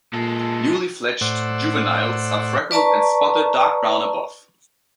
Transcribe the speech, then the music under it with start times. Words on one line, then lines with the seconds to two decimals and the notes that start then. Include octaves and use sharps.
Newly fledged juveniles are freckled and spotted dark brown above.
0.13 A#2 G#3 A4
1.21 A2 C5 D5 F#5 E6
2.71 B4 D5 A5 A#5 C#6